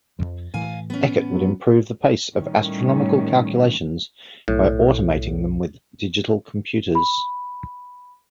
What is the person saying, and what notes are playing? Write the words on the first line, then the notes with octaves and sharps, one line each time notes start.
Eckert would improve the pace of astronomical calculations by automating them with digital computers.
F2 F3
A2 E3 F5 G#5
B3 C#4
F#3
A2 D#3 G3 C#4
B1 A2
B5